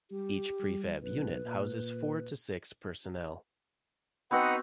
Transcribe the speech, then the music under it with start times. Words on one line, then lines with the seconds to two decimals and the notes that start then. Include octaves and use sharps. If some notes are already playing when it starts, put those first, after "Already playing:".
Each prefab unit houses four to six personnel.
0.11 G3 G4
0.60 G3
1.02 B1 B4
1.45 A#2
4.31 B3 C4 D#4 F#4 B4 F#5